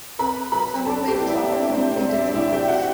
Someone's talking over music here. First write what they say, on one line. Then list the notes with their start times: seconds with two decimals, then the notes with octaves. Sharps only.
Some were made for software company dk'tronics.
0.19 C4 B4 B5
0.52 F#3 B4 B5
0.85 F#3 A4 A5
1.07 G4 G5
1.19 E4 D5
1.29 E4 E5
1.51 C4 D4 D5
1.74 C4 C5
1.86 C4
1.96 C4 C5
2.09 E5
2.18 F#3 D4 D5
2.30 D5
2.35 E4 E5
2.52 E4 G4 G5
2.68 F#4 F#5